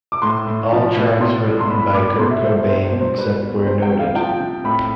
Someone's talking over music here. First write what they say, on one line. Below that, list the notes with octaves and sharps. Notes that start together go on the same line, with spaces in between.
All tracks written by Kurt Cobain, except where noted.
D6
A2 C6
A2
F3
A2
B2 C6
G3
C6
A2 B5
B5
G3 D6
D6
B2 C6
E5
G3 C5
E5
G3 C5
C5
B2
C5
G3 B4
G3
C3 C5
G5
G3
F5
F3 G5
C3
A2 B5